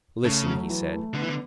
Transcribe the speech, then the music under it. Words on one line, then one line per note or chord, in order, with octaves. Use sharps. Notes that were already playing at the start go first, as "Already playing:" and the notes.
"Listen," he said.
C#3 A3
F#3
E3
A3
D3 B3
E3
D3